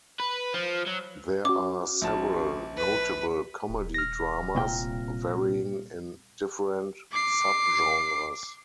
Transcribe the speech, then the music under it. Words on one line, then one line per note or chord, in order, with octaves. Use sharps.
There are several notable comedy-dramas, varying in different subgenres.
B4
F3
F#3
C#4 F#4 D6
A#1 A5
B4
D#1
F6 A#6
C2 A#2 G5
D6 C7